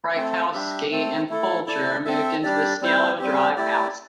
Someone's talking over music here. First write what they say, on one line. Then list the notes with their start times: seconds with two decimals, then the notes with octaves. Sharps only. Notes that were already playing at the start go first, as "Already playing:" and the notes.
Frykowski and Folger moved into the Cielo Drive house.
0.15 A3 C4 A4
0.53 G3 D4 G4 E5
0.91 A3 C4 A4
1.29 A3 E4 A4
1.66 E4 A4 D5
2.05 C4 A4 E5
2.43 G3 D4 G4 D5
2.81 G3 C4 E4 C5
3.19 G3 C4 G4
3.57 A3 E4 G4 D5